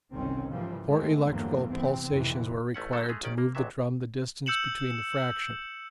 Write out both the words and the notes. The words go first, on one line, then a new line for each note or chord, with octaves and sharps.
Four electrical pulsations were required to move the drum the distance between the fractions.
G1 C2 D#3 C4 C#4
G#2 C#3 E3 F3 G3 A#3
D#3 G#3 A3 C4
E2 G2 D3 F3 F#3 A#3
C3 E3 B3 C4
A#1 F2 C3 D#3 E3
A1 A3 C#4 F#5
D3 F#3 G3 A3 A4
G#3 A3 G#4
A#1 D#3 C#4 D5
A#3
B1 E2 C3 F#3 E5
E6 G6 C#7 E7 F#7